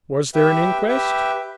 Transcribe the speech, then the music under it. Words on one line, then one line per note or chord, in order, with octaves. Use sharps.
"Was there an inquest?"
G4 B4 E5 G5
G4 B4 E5 G5